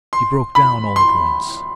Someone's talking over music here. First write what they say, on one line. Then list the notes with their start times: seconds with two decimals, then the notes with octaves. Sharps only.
He broke down all at once.
0.13 C6
0.55 B5
0.96 C6